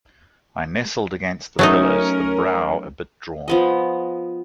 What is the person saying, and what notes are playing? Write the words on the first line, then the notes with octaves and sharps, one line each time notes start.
I nestled against the pillows, the brow a bit drawn.
F#3 A3 C#4 D#4 A#4
F3 B3 D#5